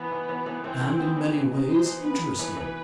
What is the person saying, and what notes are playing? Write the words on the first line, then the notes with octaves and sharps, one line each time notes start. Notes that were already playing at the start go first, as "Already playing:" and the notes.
And in many ways interesting.
Already playing: E3 B3
E3
E3
E3
E3 C4
E3
B3
E3
E3
D#4
D#4 C5
E3
B3 B4
B3
E3
E3